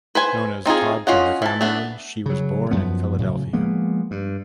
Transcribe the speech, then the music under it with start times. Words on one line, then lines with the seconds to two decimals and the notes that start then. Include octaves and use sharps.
Known as "Tod" to her family, she was born in Philadelphia.
0.15 B4 C5 G#5
0.66 C4 D#4 F4 G#4
1.07 C#4 F4 D#5 F#5
1.42 E3 A5
1.61 A3 B3 D4
2.26 C#3 F#3
2.71 F#2 F3 B3
3.18 A2 C#3 F#3
3.53 F3 G#3 A#3 B3
4.11 G2